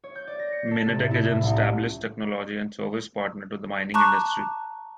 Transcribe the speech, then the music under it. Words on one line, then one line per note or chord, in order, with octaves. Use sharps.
Minetec is an established technology and service partner to the mining industry.
C#5
G6
D5
A#6
C#7
A4
C3
A2
E4
A2
C2
C#4
A5 A#5 C#6 D6 F#6